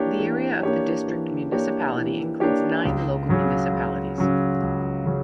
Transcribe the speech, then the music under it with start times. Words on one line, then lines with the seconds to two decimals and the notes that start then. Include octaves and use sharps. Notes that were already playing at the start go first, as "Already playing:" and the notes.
The area of the district municipality includes nine local municipalities.
Already playing: E3 A#3 D4 G4 C#5
0.19 E3
0.63 A#3 D4 G4 C#5
1.08 E3
1.52 A#3 D4 G4 C#5
1.97 E3
2.40 A#3 D4 G4 C#5
2.85 C#2
3.29 C#3 F#3 C#4
3.73 C#2
4.18 C#3 F#3 C#4
4.62 C#2
5.06 C#3 F#3 C#4